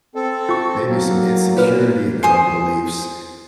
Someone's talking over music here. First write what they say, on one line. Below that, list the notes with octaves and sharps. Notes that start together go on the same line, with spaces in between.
maybe some insecurity in their own beliefs.
C4 A4
F4 C#6
F#3 A#3
A#2 F4 B4 F6
C5 G#5 D#6